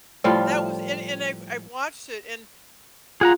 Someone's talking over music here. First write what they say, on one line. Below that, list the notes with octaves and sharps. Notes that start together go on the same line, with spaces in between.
That was and and I've I've watched it, and
A2 F3 G3 F4
F4 G#4 F#5 A#5